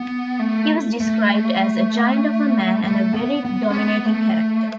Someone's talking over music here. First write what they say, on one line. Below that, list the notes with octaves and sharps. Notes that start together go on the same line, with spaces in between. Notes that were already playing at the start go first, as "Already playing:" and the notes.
He was described as "a giant of a man, and a very dominating character".
Already playing: B3
A3
A3
A3
B3
B3
C#4
B3
A3